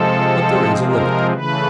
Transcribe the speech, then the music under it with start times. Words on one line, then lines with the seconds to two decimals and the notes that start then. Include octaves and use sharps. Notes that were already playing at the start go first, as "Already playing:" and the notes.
But there is a limit.
Already playing: C3 F3 G#3 C4 A4
0.81 A#4
1.32 C#3 E3 A3 B4